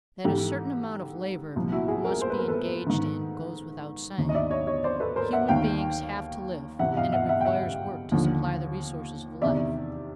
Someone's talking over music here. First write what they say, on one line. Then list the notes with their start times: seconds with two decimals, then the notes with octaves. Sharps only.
That a certain amount of labor must be engaged in goes without saying. Human beings have to live and it requires work to supply the resources of life.
0.24 G#2 E3 G4 A4
1.56 C2 A#2 F3
1.72 E4 F#4
1.88 F#4 G#4
2.04 G#4 A#4
2.21 C5
2.30 B4
2.39 A#4
2.48 A4 B4
2.87 G#2 D#3
4.18 D#2 D#3
4.29 D#5
4.34 D5 E5
4.51 C#5 D#5
4.67 C#5 D#5
4.84 C5 D5
5.00 A4 B4
5.16 A#4 C5
5.33 E5 F#5
5.49 D#2 D#3 F5 G5
6.79 E2 C3 E3 E5 F#5
6.96 D#5 F5
7.12 E5 F#5
7.29 E5 F#5
7.41 G5
7.45 E5 F#5
8.11 D#2 D3 F3
9.41 E2 C3 D#3 D5 E5